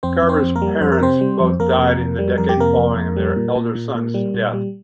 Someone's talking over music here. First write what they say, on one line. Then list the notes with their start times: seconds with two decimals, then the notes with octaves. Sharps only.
Garber's parents both died in the decade following their elder son's death.
0.03 F2 C4 C5
0.23 F2
0.29 C4 C5
0.43 F2
0.56 A#3 A#4
0.62 G3
0.81 F2 C5
0.92 A#4
1.01 C3 C4 C5
1.21 G3
1.40 F2
1.60 F2 A#3 A#4
1.79 C3
1.99 F2
2.19 G3
2.38 F2 A#4
2.49 G4
2.58 C3 A#3 A#4
2.77 F2
2.96 F2
3.17 G3
3.36 A#2
3.56 A#2
3.75 A#2
3.94 A#2
4.14 G3
4.34 A#2
4.53 G3